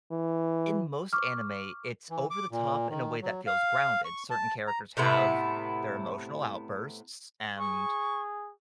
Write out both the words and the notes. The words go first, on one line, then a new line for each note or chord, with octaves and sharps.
in most anime, it's over the top in a way that feels grounded. Certain characters have their emotional outbursts, and
E3
C#6 D6 F6
E3
D6
A#2
D#3
F#3
F5
C#6
A5
A#5
A2 C3 B3 E4
G#4 C#6